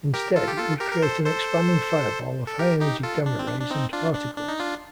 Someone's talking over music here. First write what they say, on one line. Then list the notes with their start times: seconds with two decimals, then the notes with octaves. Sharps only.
Instead, it would create an expanding fireball of high-energy gamma rays and particles.
0.14 G4 A#4
0.36 F4 A4
0.48 G4
0.58 F4 A4
0.80 G4 A#4
0.92 A#4
1.02 A4 C5
1.25 A4 C5
2.47 A4
2.59 G4 A#4
2.81 D#4 G4
3.03 F4 A4
3.26 D4
3.39 C4
3.48 D4
3.61 D4
3.70 C4 D#4
3.93 D4 F4
4.14 D4
4.37 D4
4.48 D#4
4.60 D4 F4